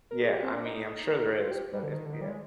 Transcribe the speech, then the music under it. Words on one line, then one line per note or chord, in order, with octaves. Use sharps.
Yeah, I mean, I'm sure there is, but it's Yeah.
A#4
G#4
G4
C4
D4
D#4
F4
G4
G3
D3
D#3
D3
D#3
G3
G#3